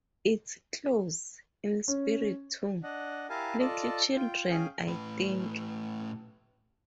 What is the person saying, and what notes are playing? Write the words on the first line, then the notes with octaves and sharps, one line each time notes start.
It's close in spirit to "Little Children", I think.
C#4
D4 D#5 F#5
E4 G4 A#4 F5 G#5 A5
F4 A4 D5 D#5 A5
F4 G5
C#4 G#4 F5 G5 G#5
A2 B4